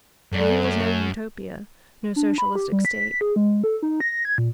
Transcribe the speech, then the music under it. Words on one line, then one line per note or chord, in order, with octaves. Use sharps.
But here was no Utopia, no Socialistic state.
F#2 A4 D5
D2 G#3 C#5
A3 C#4 C#5
D4
B5
G4
G3
B6
G#4
G#3
A4
D#4
A#6
G#6
A#2